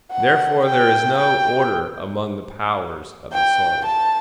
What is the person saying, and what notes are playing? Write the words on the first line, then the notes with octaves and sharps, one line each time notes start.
Therefore there is no order among the powers of the soul.
F#5
G5
G5
G5
A5